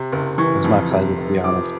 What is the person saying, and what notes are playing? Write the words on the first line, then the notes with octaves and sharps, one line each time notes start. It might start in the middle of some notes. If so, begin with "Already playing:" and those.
it was my pleasure, to be honest.
Already playing: C3
F#1
E3 C#6
F2
C3
F1
F3 D6